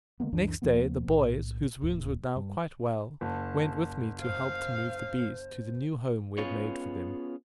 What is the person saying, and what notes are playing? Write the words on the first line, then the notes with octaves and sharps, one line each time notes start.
Next day, the boys, whose wounds were now quite well, went with me to help to move the bees to the new home we had made for them.
D3 G#3 A#3 B3
C#2 F#2 E3 D4
D#2 F3 A#3 B3
B1 A2
D1 D#2 A2
G2
F#1 A5
C5 F5
B3 C#4 F4 G#4 B4 C#5